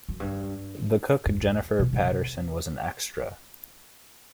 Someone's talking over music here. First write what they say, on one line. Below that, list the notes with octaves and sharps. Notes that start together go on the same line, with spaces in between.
The cook Jennifer Paterson was an extra.
F#2
G2
F2
B2
C3